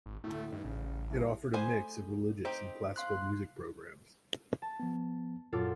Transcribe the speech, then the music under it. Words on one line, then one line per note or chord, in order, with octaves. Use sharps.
It offered a mix of religious and classical music programs.
G#1
D2 A2 A3
G2 D#3
A1 C#3
C2
A3 G#4 C5 G#5
C4 D#4 G4
F5 C6 F#6
A5
F3 B3
F#2 A#2 F4 A4 D6